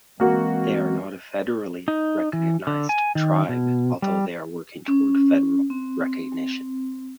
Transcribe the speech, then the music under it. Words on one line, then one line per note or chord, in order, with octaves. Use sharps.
They are not a federally recognized tribe, although they are working toward federal recognition.
E3 G#3 A#3 C4 F#4
D#4
E3
D3
G#5
D#3
B2
G3
C#4
C4